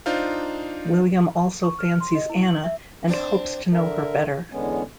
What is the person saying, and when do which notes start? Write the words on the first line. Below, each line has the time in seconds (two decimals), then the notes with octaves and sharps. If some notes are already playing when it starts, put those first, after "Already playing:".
William also fancies Anna and hopes to know her better.
0.06 D4 D#4 F4 C5 F5
1.63 C#6
1.79 F6
2.00 C6
2.15 D#5
2.30 E4
2.45 F#7
2.64 E5
3.08 C4 D4 C5
3.73 D3 A#4 E5
4.52 E2 D3 G#3 B3 C#4